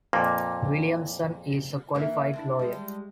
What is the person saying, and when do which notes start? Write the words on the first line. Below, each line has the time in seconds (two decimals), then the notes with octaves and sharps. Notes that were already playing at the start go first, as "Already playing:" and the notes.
Williamson is a qualified lawyer.
0.13 F2 A#2 A#3
1.95 E3 A#3
2.33 C4 D4 E4
2.59 G3 G#3